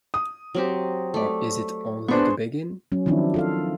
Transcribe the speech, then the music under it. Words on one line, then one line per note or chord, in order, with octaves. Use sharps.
Or is it only the begin-?
D#6
F#3 C4 G4
A3 D5
B3 D4 G#4 C5 C#6
F#3 C#4
D#3 F3 F#3 C4 D4 E4
F4 A4 F5